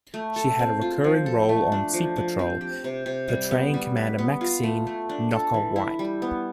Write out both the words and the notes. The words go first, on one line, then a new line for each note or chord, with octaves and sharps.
She had a recurring role on "Sea Patrol" portraying Commander Maxine "Knocker" White.
A3
A4
C4
F4
F3
A4
A3
D4
F3
F3
C4
G4
C3
C3
G3
B3
G3
B4
B3
F4
A3
A3
D4
A4
E3
E4
G3
B3